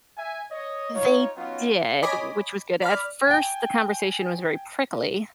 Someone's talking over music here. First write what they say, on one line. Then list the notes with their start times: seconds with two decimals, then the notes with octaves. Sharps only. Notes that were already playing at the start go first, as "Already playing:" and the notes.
They did, which was good. At first, the conversation was very prickly,
0.17 E5 G#5
0.51 C#5 D#5
0.94 D#4 F4 C#5
1.36 F#3 B3 C#4 D#4 F4
2.03 C#5 D#5 G#5 B5 D6
2.82 D5 B5 F6
3.27 G5 G#5